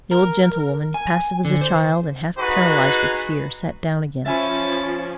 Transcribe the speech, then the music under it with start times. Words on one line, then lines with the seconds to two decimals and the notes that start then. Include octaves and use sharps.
The old gentlewoman, passive as a child and half paralyzed with fear, sat down again.
0.11 A#4
0.94 G#5
1.45 D3
1.61 C5
2.38 D#4 F#4 G#4 B4
4.26 F3 C#4 E5 G#5 A5 B5